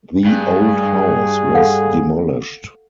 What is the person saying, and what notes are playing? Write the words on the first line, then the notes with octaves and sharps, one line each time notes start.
The old house was demolished.
G2 G#4
A4 F5 F#5